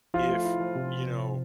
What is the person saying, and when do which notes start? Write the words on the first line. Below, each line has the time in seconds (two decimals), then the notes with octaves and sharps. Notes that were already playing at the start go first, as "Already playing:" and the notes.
if, you know,
0.14 F3 F4
0.29 A3
0.45 E4
0.60 F3
0.75 C3